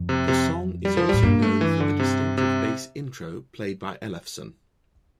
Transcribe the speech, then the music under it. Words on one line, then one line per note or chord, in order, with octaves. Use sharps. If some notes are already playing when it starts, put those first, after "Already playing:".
The song is also known for the distinctive bass intro played by Ellefson.
Already playing: F2
C3
C3
G3
F3
A2 G3
G2 A#3
A3
E3
D3
C3
C3